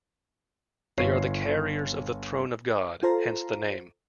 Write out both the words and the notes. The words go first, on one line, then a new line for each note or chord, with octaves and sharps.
They are the carriers of the Throne of God, hence the name.
G1 C#5 C7
F4 A4 C5 A#5